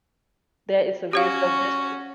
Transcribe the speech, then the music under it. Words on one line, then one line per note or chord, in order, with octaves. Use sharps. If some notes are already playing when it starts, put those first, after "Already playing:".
That is severe self-discipline.
C#4 F#4 G4 C#5 F5